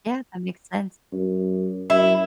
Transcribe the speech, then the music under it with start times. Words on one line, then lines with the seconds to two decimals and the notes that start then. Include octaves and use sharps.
Yeah, that makes sense.
1.13 F#2
1.90 F#2 E4